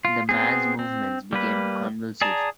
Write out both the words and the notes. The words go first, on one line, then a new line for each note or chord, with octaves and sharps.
The man’s movements became convulsive.
F4
B3 C4 G#4
C4
G3 A#3 B4
G#4 D5 A5 A#5